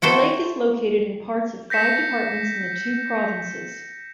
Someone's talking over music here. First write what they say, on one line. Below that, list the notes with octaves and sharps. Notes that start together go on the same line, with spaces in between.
The lake is located in parts of five departments in the two provinces.
E4 F#4 A4 C5
G6 A#6 B6 C#7 E7